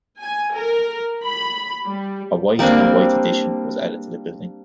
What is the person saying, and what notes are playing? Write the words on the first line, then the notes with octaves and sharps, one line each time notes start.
A Wight and Wight addition was added to the building.
G#5
A#4
B5
G3
G3 A#3 C4 D4